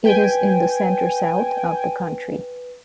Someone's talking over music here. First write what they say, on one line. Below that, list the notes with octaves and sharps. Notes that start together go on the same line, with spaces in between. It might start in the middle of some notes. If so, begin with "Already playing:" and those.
It is in the center-south of the country.
B4 G5 G#5